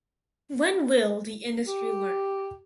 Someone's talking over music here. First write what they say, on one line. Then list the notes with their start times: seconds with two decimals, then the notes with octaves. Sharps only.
When will the industry learn?
1.67 G4